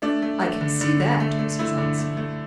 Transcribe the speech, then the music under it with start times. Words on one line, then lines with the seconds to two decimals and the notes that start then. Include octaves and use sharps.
"I can see that," was his answer.
0.02 A3 D4
0.22 A3
0.41 A3
0.61 D3
0.81 D3
1.00 D3
1.20 A3
1.39 A3
1.59 A3 E4
1.78 D3
1.98 A3
2.17 A3